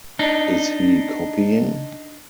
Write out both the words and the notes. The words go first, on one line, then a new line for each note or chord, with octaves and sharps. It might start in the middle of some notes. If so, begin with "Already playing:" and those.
Is he copying?
D4 D#4